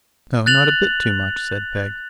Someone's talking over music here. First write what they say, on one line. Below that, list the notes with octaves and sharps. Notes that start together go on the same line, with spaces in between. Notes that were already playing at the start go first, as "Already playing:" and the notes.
'No, not a bit too much,' said Peg.
F#6 A6 F7 F#7